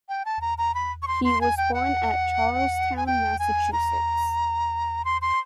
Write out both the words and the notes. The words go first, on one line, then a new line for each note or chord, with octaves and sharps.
He was born at Charlestown, Massachusetts.
G5
A5
A#5
A#5
B5
C#6
C6
C6
G#5
G5
F#5
G#5
G5
G#5
A#5
C6
C6